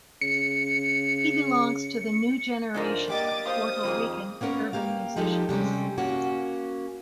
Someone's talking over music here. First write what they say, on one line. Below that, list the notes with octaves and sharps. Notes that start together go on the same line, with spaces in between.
He belongs to "the new generation" of Puerto Rican urban musicians.
C#3 C#7
G#2 F3 A3 D4 A#4
F#3 A#3 G4 D#5 D6 A6
C5 F5 C6 D#6
F2 D#3 A#3 G#4
A#3 B3 C#4 A#4 C#5
A#3 G4 F5
F3 G#3 D#4 G4 A4
C3 G3 G#3 C#4
A#3 C#4 F#4